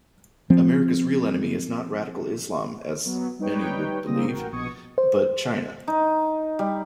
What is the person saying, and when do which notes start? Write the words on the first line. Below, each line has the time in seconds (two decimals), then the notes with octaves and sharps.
America's real enemy is not radical Islam, as many would believe, but China.
0.50 F3 C4
3.05 F#3 B3
3.39 G3 D#4 B4 C#5 G5
4.06 C#3 G3 A#3 C4 D#6 A#6
4.28 A1 F#4 A#4 G5
4.51 A#1 B2 C#6 D#6 G#6 C#7
4.98 C5
5.88 D#4
6.59 G3